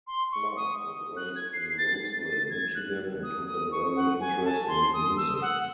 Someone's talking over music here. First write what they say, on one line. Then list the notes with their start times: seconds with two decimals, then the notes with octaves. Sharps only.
Clark was raised in Roseville, Michigan, and took an early interest in music.
0.07 C6
0.31 C#6
0.56 D#6
1.17 F#6
1.36 G#6
1.53 C7
1.69 C7
1.78 A6
2.02 A6
2.26 A6
2.50 G#6
2.75 F#6
3.23 D#6
3.47 D#6
3.72 C#6
3.96 F#5
4.20 G#5
4.45 A5
4.68 C6
4.93 D#6
5.17 E6
5.42 F#5